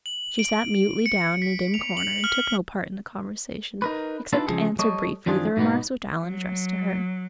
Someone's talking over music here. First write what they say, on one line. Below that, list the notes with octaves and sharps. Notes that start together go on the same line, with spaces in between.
She sat mutely down in a dim corner and took no part in the conversation except to answer briefly the remarks which Alan addressed to her.
F#7
D7
C#7
B6
F7
F#7
F6
D#4 A#4 B4
D4 D#4 F4 A4 B4 A5
C#3 F3 G#3 G#4 A4
G3 A4 C#5 D#5
F#2 D#3 F3 D4 F4 G#4
G#2 B2 A#3 B3 D#4
F#3